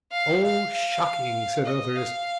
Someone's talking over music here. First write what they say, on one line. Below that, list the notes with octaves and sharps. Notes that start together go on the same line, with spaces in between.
"Oh, shocking!" said others.
F5
F5
F5
D#5
F5